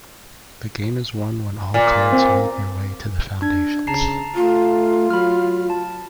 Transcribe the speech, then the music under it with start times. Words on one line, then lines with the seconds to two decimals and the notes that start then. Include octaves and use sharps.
The game is won when all cards made their way to the foundations.
1.74 A#2
2.12 C4
3.42 D4 G#6
3.87 C#3 A5 A#5 C7
4.35 A3 F4
5.10 F#3 B5 F6
5.70 A5